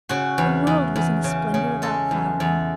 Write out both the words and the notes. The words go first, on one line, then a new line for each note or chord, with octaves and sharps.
The world was in a splendor of out-flowering.
C#3 F#4
E2
E2
E2
C#3
C#3
G#3 A4
E2
E2